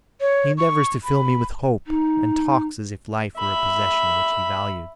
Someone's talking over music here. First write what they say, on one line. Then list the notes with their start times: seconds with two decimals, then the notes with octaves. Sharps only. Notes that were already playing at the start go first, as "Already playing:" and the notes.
He endeavours to fill me with hope and talks as if life were a possession which he valued.
0.21 C#5
0.58 C#6
1.04 B5
1.87 D#4
3.38 E5 B5